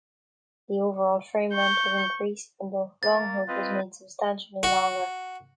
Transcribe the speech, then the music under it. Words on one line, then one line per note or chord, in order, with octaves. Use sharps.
The overall frame length was increased, and the long hood was made substantially longer.
C#6 G6
A#3 A6
C4 F4 B4 D#5
F#4